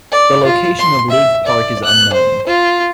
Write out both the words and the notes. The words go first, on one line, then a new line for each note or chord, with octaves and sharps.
The location of League Park is unknown.
D5
F4
C6
E5
D5
F#6
C5
F4